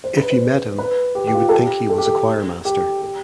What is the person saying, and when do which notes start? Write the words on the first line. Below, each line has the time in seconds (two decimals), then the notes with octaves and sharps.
If you met him, you would think he was a choirmaster.
0.04 C5
0.17 B4
0.30 C5
0.78 B4
1.15 G4
1.27 G4
1.35 F4
1.49 A4
1.53 G4
1.89 A4
1.98 G4
2.06 A4
2.65 G4
3.02 G4